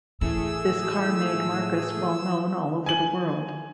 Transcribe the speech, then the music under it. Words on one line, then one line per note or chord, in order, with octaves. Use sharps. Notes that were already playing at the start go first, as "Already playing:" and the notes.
This car made Marcus well-known all over the world.
A2 E3 A3 G#4 E6
G#5 F#7